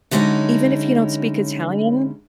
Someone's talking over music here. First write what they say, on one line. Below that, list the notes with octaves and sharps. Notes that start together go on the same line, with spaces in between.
even if you don't speak Italian
D3 F#3 G#3 C#4 D#4 E4